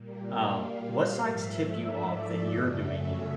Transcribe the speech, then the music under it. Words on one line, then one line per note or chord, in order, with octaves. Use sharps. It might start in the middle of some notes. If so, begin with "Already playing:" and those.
Um, what signs tip you off that you're doing it,
Already playing: A#2 G3 A#3
F5
G#2 F3 A3 E5
D5
F#2 C#3 F#3 A3 D#5
E5